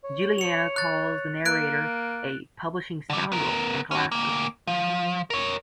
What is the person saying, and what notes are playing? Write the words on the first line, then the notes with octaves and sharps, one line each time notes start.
Juliana calls the narrator a "publishing scoundrel" and collapses.
C#5
C#7 F7
F#6 A6
A#3 F#6 D7
D3 G3
B3 A#4
C#4 F#4
D2 A#3
F3
A#4 C#5